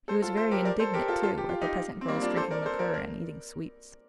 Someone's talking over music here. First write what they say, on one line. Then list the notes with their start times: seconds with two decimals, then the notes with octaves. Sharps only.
He was very indignant, too, at the peasant girls drinking liqueur, and eating sweets.
0.08 A4 C5
0.22 F4 A4
0.37 A4 C5
0.51 G4 A#4
0.65 A#4 D5
0.79 A4 C5
0.94 G4 A#4
1.08 F4 A4
1.23 F4 A4
1.38 G4
1.49 F4
1.61 D#4 G4
2.01 C4
2.08 G3 A#3
2.22 D4 F4
2.36 A4 C5
2.51 A#4 D5
2.66 A4 C5
2.79 A#4 D5
2.94 A#4 D5